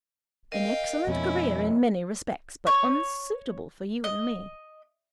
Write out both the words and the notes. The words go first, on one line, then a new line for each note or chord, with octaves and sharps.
An excellent career in many respects, but unsuitable for you and me.
A#4 D#5 F5 G5
F2 B2 C#4 E4
C#5
D#5